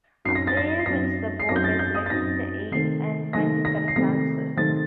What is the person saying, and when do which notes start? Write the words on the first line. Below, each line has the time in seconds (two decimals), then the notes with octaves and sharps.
A player wins the board by selecting the eighth and final correct answer.
0.25 F#2 F#3 C4 D#4 C7
0.35 A#6
0.47 A6
0.57 A#6
0.79 C7
0.86 F#2 F#3 C4 D#4 A#6
1.40 C7
1.49 F#2 F#3 C4 D#4 A#6
1.56 G6
1.64 A6
1.79 G6
1.95 D#6
2.06 A6
2.10 F#2 F#3 C4 D#4 A#6
2.71 C3 D#3 A3 C4 D#4 C7
3.33 C3 D#3 A3 C4 D#4 A#6
3.65 A#6
3.88 C7
3.96 C3 D#3 A3 C4 D#4 A#6
4.57 C3 D#3 A3 C4 D#4 A6